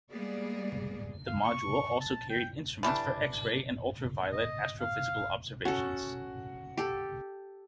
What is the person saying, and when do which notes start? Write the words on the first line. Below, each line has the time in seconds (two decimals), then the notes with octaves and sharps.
The module also carried instruments for X-ray and ultraviolet astrophysical observations.
0.12 G3 G#3 A#3 B3 G#4 D5
1.27 F5
1.44 C#6
2.01 A5
2.30 G5
2.83 E3 G3 A3 D4
4.33 D#5
4.80 F5
5.65 C#4 F#4 A4 F#5
6.77 G4 A4